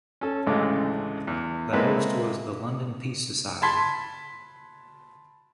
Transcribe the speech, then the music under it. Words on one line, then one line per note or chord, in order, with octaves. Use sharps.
The host was the London Peace Society.
C#4 A4
A1 D2 C#3 G#3 A3 D6
E2
G#3 A#3 C4 E4 A4 B4
A5 B5 C6 G#6 B6